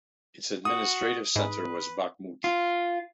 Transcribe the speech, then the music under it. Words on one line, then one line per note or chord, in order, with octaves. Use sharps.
Its administrative centre was Bakhmut.
F#4 D#6
G#2 B4
F4